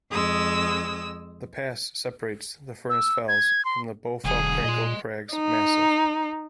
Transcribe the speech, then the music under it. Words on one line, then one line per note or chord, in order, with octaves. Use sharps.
The pass separates the Furness Fells from the Bowfell-Crinkle Crags massif.
F2 G#3 D#6 E6
E6
G#6
C6
E1 D3 F#3 G#4
A#2 D#5 C6
D#4